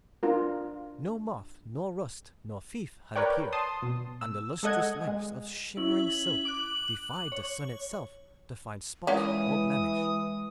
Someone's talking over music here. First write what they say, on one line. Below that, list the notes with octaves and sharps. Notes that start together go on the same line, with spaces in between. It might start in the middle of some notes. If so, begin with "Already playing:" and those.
No moth nor rust nor thief had appeared, and the lustrous lengths of shimmering silk defied the sun itself to find spot or blemish.
D4 F4 A#4
A#4 B4 C#5 D5 G5
A5 C6 D#6
B2
E6
G#3 A4 D#5 F#5 G#6
G#3
C#4 E4 F#7
D6 F#6
C#5
E3 G#3 C#4 F4 A#4 D#6